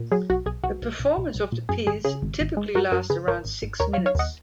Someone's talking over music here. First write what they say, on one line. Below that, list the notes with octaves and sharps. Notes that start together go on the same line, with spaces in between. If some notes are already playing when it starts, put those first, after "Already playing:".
A performance of the piece typically lasts around six minutes.
Already playing: A#2
F#3 G#4
B1 F#4
B1 G#4
B1 F#4
B1
B1
B1
B1
A#2
F#2 G#4
G#1 G#4
C#3 G#4
G#1
G#1
G#3
F#2 F#4 A#4
F#2 F#4 A#4
C#3 G#4 B4
G#1 A#4 C#5
G#1
G#1
D#2 A#4 C#5
C#5 F5
F#3
C#5 F5
D#2 D#5 F#5